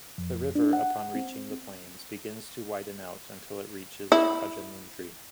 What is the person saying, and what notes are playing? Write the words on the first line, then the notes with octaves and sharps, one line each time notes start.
The river upon reaching the plains begins to widen out until it reaches Rajamundry.
F2
D4
F#5
C4
E4